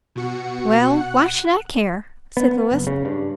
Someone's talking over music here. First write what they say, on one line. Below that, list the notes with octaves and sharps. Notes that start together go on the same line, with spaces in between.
"Well, why should I care?" said Louis.
B2 F#4 C#7
F#5 F#6
B3
F#1
C#3
G2